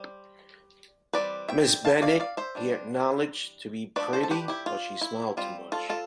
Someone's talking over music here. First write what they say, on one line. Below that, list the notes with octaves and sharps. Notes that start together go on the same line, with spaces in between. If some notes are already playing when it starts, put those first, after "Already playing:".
Miss Bennet he acknowledged to be pretty, but she smiled too much.
Already playing: G3 C5
E3 G3 C4 B4 D5
E5 G5
F5 A5
D5 F5
D5 F5
C5 E5
E3 G3 D4
F3 A3 D4 B4 D5
A4 C5
A4
G4 B4
E4 G4
F4
E4
G3 C4 F4
F4 A4
F4 A4